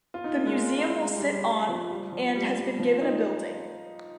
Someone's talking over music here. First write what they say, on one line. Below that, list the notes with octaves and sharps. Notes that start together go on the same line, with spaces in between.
The museum will sit on and has been given a building.
F4
D#4
A#3
G#3
G#3
G3
G3
G3
F3
G3
F3
G3
G3
F3
D#4